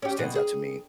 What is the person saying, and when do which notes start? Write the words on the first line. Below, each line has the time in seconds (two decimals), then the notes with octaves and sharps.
stands out to me.
0.02 C#4 G4
0.18 D2 B2
0.35 G#4